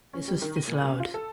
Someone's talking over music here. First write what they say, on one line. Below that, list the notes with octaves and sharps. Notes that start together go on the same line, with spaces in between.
This was disallowed.
C#4
G3
D#3
D#7
A#2
C#3
F4
A4